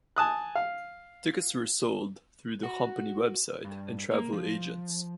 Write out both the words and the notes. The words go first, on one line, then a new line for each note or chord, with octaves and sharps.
Tickets were sold through the company website and travel agents.
G#5 A5 D#6 F#6
F5
F#4
G2
A#3
F3